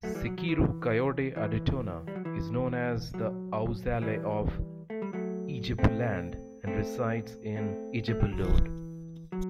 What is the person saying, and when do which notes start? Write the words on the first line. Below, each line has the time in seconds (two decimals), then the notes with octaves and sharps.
Sikiru Kayode Adetona, is known as the Awujale of Ijebuland and resides in Ijebu-Ode.
0.03 F#3 A3
0.15 E3 G3
0.27 F#3
0.38 F#3
0.49 E3
1.36 E3
2.07 G3
2.15 F#3
2.25 E3
3.14 F#3
4.02 E3 G3
4.90 A3
5.02 G3
5.13 F#3 A3
5.78 A3 C4
6.67 A3 C4
7.56 A3 C4
8.08 A3
8.20 G3
8.32 F#3
8.44 E3
9.32 F#3